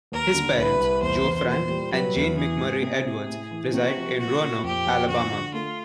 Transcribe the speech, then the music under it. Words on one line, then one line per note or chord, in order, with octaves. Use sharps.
His parents, Joe Frank and Jane McMurray Edwards, reside in Roanoke, Alabama.
D#2 A#4
D3
C2 B4
C2
E2 C5
E2
A#2 C5
G3
F#3 B4
E2
E3 G#4
G#2
C3 G#4
C3
A2
E3
C3 F#4
F3
A#2 F#4
A#2
F2 G4
F3
D3 F#4
D3
A3 F4